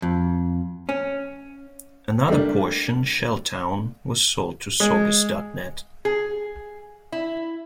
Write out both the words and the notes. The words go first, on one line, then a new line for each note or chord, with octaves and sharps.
Another portion, ShellTown, was sold to Saugus dot net.
F2
C#4
G3 A3 A#3 D4
G#3
G#4
E4